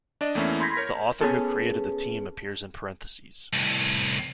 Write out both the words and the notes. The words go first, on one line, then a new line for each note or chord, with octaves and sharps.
The author who created the team appears in parentheses.
D4 D5 D#5
E2 A3 A#3 C#4 E4
B5 C6 G6 G#6 A#6 B6
A#4 C#5
B3 C#4 G#4 A4
C2 A2